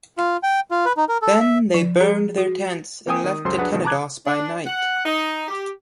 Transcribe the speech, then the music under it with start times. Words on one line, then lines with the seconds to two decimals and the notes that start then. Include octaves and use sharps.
Then they burned their tents and left to Tenedos by night.
0.18 F4
0.43 G5
0.71 F4
0.85 B4
0.97 D#4
1.09 A#4
1.22 A4
1.40 E5
1.74 F3
2.00 G#4 A#5
2.38 F#4
3.07 A#3 C4 G5 G#5 D#6
3.24 D#3
3.45 C#2 F#2 F#3 A4 C5 C6
3.59 F#3 D4 G#4 B4 F#5
3.72 B2 D#3 F3
3.84 A5 A#5 D6 F#6 G#6
4.26 D4
4.66 F#5
5.05 D#4
5.48 G4